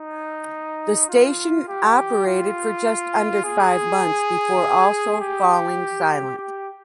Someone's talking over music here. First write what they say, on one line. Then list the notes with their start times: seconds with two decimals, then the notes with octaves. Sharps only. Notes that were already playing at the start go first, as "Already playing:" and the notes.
The station operated for just under five months before also falling silent.
Already playing: D#4
1.09 F4
1.68 G4
2.26 F4
3.44 G#4
5.20 G4
6.37 G4